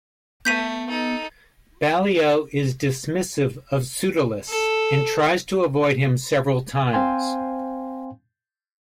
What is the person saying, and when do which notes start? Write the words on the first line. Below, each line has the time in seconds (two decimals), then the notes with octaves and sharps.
Ballio is dismissive of Pseudolus, and tries to avoid him several times.
0.45 A3 B3 G6 B6 D#7
0.89 D#4 A4
4.48 A4
6.93 C4 C5 F5 G5 G#5 C6